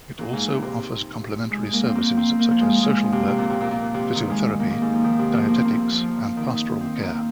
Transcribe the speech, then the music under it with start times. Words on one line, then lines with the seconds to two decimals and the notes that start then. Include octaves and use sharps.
It also offers complementary services such as social work, physiotherapy, dietetics and pastoral care.
0.19 A#2
0.33 G#2
0.48 A#2
0.62 C3
1.51 G#3
1.67 G#3
1.73 A#3
1.86 C4
1.95 A#3
2.17 C4
2.39 A#3
2.51 F3
2.61 G#3
2.83 G#3
2.97 F3
3.12 C3
3.28 C3
3.38 A#2
3.50 C3
3.61 A#2
3.71 A#2
3.94 C3
4.15 D#3
4.30 G#3
4.60 A#3
4.71 A#3
4.82 G#2
4.93 F3
5.04 D#3
5.19 C3
5.33 F3
5.49 A#3
5.56 C4
5.65 A#3
5.73 C4
5.81 A#3
5.92 F3
6.37 D#3
6.81 C4
7.03 A#3